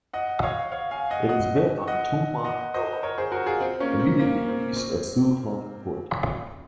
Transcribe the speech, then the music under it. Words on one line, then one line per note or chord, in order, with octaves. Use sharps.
It is built on the Tuen Mun Nullah immediately east of Siu Hong Court.
D#5 F#5
C#5 F5
C#5 F5
F5 G#5
D#5 F#5
D#5 F#5
D#5 F#5
D#5 F#5
C5 D#5
A#4 C#5
G#4 C5
F#4 A#4
F4 G#4
C4
A#3 C#4
C4
A#3
C4
C4